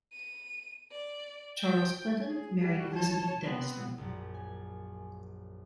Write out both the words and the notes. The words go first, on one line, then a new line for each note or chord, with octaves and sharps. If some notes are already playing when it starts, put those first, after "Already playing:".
Charles Clinton married Elizabeth Denniston.
D#7
D5
G5
G#4
G3 F#4
C#5 A5
B3 C4
A#1 F#2
G#5